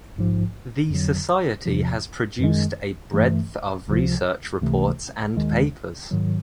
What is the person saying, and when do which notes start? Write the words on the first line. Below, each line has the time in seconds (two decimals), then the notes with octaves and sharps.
The society has produced a breadth of research reports and papers.
0.16 A#1 G#2 F3
0.90 F2 D3 F#3
1.65 E2 C3 F3
2.39 F#2 D#3 G#3
3.13 G2 E3 A3
3.88 C#2 C3 F3
4.62 C#2 C3 E3 A3
5.37 D#2 D#3 G#3
6.11 G#2 D#3 F#3